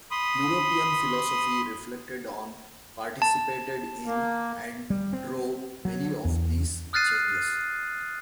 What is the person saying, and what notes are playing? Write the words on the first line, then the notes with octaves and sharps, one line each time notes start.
European philosophy reflected on, participated in, and drove, many of these changes.
B5 C6 D#6
A5
A#3
G3
C4
F#3
E2
D#6 F6 F#6 A6 C7 D#7